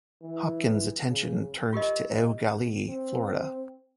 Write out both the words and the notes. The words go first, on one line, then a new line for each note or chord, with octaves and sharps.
Hopkins' attention turned to Eau Gallie, Florida.
E3
C#3
F4 G4 A#4 D#5
C4